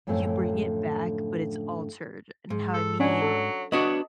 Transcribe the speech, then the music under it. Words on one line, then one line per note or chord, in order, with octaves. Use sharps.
you bring it back, but it's altered, and how I mean,
F#2 A2 D3 F3 A3 C4
G#2
A4
F#3 C#4 D4 G#5
A4
B3 D4 F#4 C#5 D#5